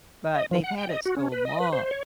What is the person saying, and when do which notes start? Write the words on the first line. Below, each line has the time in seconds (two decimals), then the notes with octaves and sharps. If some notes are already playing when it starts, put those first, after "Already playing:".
but they've had it so long.
0.35 D#5
0.51 F3
0.64 F#5
0.78 G5
0.89 D#5
1.05 F#4
1.17 C#4
1.32 B4
1.45 D#5
1.60 B4
1.73 C5
1.91 C#5